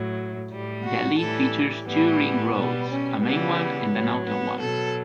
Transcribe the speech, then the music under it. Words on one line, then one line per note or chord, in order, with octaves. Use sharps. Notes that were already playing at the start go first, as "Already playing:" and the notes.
Delhi features two ring roads, a main one and an outer one.
Already playing: A2 F#3
A2 G3
F#4
A2 E3 G3 A4
A2 E3 G3 B3
B2 G3
C#4
C#3 E3 G3 B3
A2 F#3
B3
B2 F#3 A4